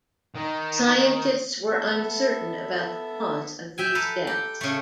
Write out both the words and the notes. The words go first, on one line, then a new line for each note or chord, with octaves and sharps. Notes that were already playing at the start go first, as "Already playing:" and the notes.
Scientists were uncertain about the cause of these deaths.
D#3
B3 A4 E5
E5 G5 G#5
A4 B4 A#5
G4
C#3 A3